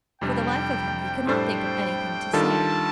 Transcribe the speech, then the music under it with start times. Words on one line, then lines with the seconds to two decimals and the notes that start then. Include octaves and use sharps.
For the life of him he could not think of anything to say.
0.21 F2 C3 G3 D4 G5
1.27 A2 G3 D4 A4 C5 G5
2.33 D#3 G3 D4 F4 A4 A5